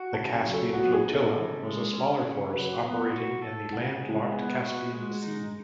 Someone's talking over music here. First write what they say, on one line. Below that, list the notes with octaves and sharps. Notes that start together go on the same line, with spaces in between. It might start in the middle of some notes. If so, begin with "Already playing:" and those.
The Caspian Flotilla was a smaller force operating in the land-locked Caspian Sea.
Already playing: F#4
C#3 A5
G#5
F#3
A4
B3 F#4
G#4
D#4
A4
C#3
G#3
C#4
C#3
F#3 B4
B3
F#4
A4
C#3 F#5
G#3
B3 G#5
F#4
G#3
D#4